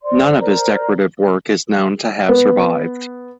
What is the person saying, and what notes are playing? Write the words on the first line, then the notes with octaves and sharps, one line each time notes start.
None of his decorative work is known to have survived.
C5 D5 C6
A#4 C5 D5 A#5
B3